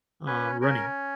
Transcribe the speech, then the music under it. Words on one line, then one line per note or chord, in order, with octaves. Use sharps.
um, running
C#4 B4
C#4 A#4